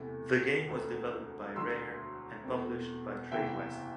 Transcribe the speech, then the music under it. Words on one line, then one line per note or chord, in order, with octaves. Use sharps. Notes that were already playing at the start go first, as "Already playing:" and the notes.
The game was developed by Rare and published by Tradewest.
Already playing: E2 C3 E3 A3
E1 D2 D3 A3 C4
E1 D2 D3 F#3 C6 E6
E2 B2 A3 C4
F#1 E2 C3 E3 E5 G5